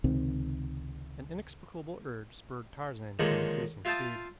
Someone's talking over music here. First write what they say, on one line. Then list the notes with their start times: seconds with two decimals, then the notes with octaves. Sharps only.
An inexplicable urge spurred Tarzan to increasing, speed.
0.04 C#2 C3 D#3 C4
3.19 D3 D#3 F3 G#3 A#3 C#4
3.85 F4 E5 F5 G5 A5 D#6